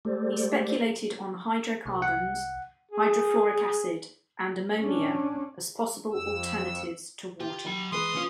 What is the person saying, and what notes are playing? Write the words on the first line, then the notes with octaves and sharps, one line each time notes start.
He speculated on hydrocarbons, hydrofluoric acid, and ammonia as possible alternatives to water.
G#3 A3 G4 A4 C5 D5
C2
F#5
G#4
C#4 D4
F2 E6
F4 G4
F#3 B5
E3 G#3 B4 C6 D#6
F3 C#4 F4 C#5